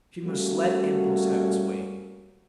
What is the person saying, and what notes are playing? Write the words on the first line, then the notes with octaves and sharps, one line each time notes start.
She must let impulse have its way.
G3 A3 A#3 C#4 F#4